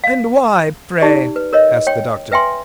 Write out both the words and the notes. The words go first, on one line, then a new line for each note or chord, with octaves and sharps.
"And why, pray?" asked the Doctor.
F5
D#4 G4 D5
B4
A#4 C#5 D#5
C#5 G5
B4 E5 G5 G#5 C6